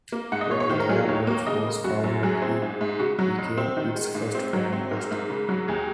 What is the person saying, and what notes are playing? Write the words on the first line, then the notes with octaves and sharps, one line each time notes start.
When the Grand Lodge was founded he became its first Grand Master.
A#3
G#2 F#5
D#5
G#2 C#5
C#5
D#3 C5
A#4
F#3 G#4
F4
D#2 C#5
A#3
C#3 D#5
G#3
F#2 F#4
F#2
F#3 G#4
C4
G#2
G#2
C#3 F#4
F#3
F2
C4
D#3
G#3
G#2
C4
F#3
C4
G#2 A#4
G#2
C#3
F#3
D#2 G#4